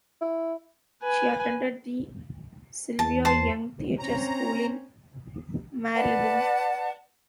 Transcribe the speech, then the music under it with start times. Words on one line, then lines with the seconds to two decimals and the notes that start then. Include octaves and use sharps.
She attended the Sylvia Young Theatre School in Marylebone.
0.21 E4
1.03 B4 G#5
2.99 E2 A5
3.25 C5 A5
3.99 C4 C#4 A#5
5.95 B4 D5 F#5 A5